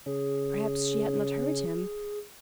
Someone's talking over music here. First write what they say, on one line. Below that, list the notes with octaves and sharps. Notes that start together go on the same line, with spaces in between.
Perhaps she had not heard him.
C#3 C#4 G#4